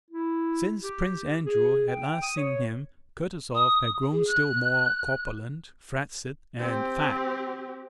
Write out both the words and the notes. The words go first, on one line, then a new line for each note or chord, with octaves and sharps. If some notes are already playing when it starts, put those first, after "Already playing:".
Since Prince Andrew had last seen him Kutuzov had grown still more corpulent, flaccid, and fat.
E4
G4
G#4
G5
D#6
C#5
D#6
G#4
F#6
C4 G4